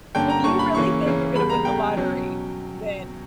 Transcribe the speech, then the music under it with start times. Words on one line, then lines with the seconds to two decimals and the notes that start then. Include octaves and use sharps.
If you really think you're gonna win the lottery, then
0.15 G2 D3 A#3 C#4 G5
0.30 A#5
0.44 G2 D3 A#3 C#4 C#6
0.59 B5
0.75 C#3 E3 A#3 C#4 C#6
1.05 C#3 E3 A#3 C#4
1.35 E2 C#3 G3 B5
1.50 A#5
1.65 E2 C#3 G3 G5
1.96 B2 F#3 C#4